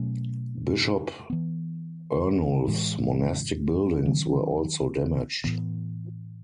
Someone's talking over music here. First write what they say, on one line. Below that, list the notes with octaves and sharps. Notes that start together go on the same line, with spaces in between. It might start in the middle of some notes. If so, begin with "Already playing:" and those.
Bishop Ernulf's monastic buildings were also damaged.
Already playing: B2 F#3 A3 C#4
E3 B3
A2 E3 G#3
D#3 F#3 C#4
A2 E3 B3